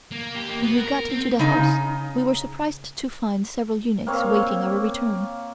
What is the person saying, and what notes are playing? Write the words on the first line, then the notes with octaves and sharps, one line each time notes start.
When we got into the house, we were surprised to find several eunuchs waiting our return.
A#3
G4
A#3
B3
A#4
C4
C#3 D#4
A#3 C4 C#5 F5